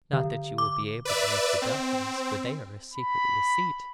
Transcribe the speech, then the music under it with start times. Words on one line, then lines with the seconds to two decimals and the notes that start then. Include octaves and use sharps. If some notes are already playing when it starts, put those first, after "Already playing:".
Not that you will be able to make the dumplings, for they are a secret receipt.'
0.13 D3
0.58 D6
1.05 B4 D5 E5
1.62 C4
2.94 B5